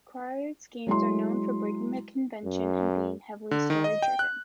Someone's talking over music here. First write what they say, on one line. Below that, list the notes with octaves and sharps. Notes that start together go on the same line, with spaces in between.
Kyratzes' games are known for breaking with convention and being heavily story-driven.
F#3 G#3 E4 C6
F#2
D3
D#3
D#5
G5
F#6